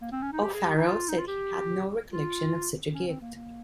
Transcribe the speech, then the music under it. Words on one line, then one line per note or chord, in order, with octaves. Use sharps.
O'Farrell said he had no recollection of such a gift.
A#3
C4
C#4
D#4
G4
G#4
G4
D#4
F4
D#4
F4
G4
F4
C#4
C4
A#3
A#3